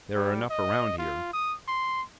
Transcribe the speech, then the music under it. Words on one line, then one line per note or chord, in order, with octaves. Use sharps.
"There are enough around here."
G3
D#5
F4
D#6
C6